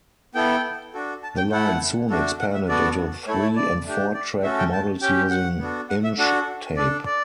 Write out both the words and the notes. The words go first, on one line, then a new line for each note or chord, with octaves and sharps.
The line soon expanded into three- and four-track models using -inch tape.
B3 E4 A4 G5
D4 F#4 A4
A5
G5
A3 E4 A4 F#5
A3 D4 F#4 A4
F#5
E5
B3 F#4 A4 D5
A3 E4 A4 C#5
C#5
D5
A3 D4 G4
D5
A3 C#4 F#4 A4 E5
G5
A5
C#4 G4 G5
F#5
B3 D4 F#4 A4
F#5
E5
D4 F#4 A4 F#5
D4 A4 D5
D5